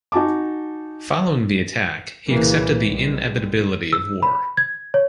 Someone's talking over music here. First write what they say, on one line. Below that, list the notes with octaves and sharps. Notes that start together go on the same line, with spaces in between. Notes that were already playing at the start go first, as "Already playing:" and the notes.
Following the attack, he accepted the inevitability of war.
D#4 F#4 G#5 A5 D6
C2 A#2 C#3 E3 A#3
B1 G3 G#3
E6
B5
G#6
C#5